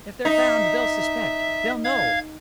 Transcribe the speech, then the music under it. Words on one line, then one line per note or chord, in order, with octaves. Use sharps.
"If they're found, they'll suspect--they'll know ..."
D#4 E5
F5 G#6